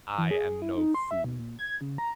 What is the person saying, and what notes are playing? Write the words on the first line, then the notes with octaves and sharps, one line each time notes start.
I am no fool.
E3
G#4
E4
D#4
C6
E5
B2
A#2
G#6
C#3
A#5